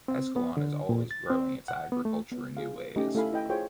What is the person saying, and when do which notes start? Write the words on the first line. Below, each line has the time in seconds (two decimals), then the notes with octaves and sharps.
Escalon is always growing its agriculture in new ways.
0.08 C4
0.36 B3
0.57 D3
0.89 A#2
1.11 A6
1.30 C4
1.68 F#5
1.92 B3
2.05 A3
2.32 B3
2.57 F4 G#4 F5
2.96 A3 C#4 D#4 G4 D#5
3.15 A3 E4 A4 F5 G#5 B5
3.33 E4 D#5 G5
3.49 F4 G#4 C5 C#5 G5